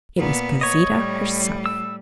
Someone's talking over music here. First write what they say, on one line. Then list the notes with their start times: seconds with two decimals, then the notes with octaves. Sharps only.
It was Gauzita herself.
0.18 A#2 B3
0.61 C#5 D#5
0.92 A2 G3
1.66 E6